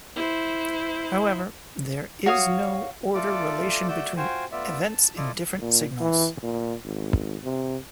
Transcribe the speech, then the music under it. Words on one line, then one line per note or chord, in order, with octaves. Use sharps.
However, there is no order relation between events in different signals.
E4 C5
F#4 C#5 F5 D#6
A3 F4 A4 D5 D6
A3 F#4 D5 E6 G6
F4 F#4 C5 G5 G#5
A3 B3 F4 D5 E5
A5
E4 F4 A4 D5 D#5 D6
A#2
E3
A#2
G#1
C3